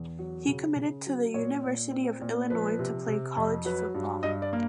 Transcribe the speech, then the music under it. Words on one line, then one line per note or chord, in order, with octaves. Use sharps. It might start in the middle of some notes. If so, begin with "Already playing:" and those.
He committed to the University of Illinois to play college football.
Already playing: E2
F#3
C#3
C#3
F#3
A#2 C#5
A#2
C4
A#2
F3 B4
C3
C3
F2
F#3 B4
G2
G2 D#5
D5
A#3